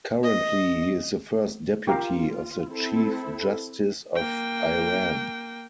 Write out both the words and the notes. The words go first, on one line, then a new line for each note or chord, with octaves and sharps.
Currently he is the first deputy of the Chief Justice of Iran.
D#5
F4 G4 A#4 F5
C4 E4 A4
A#3 G5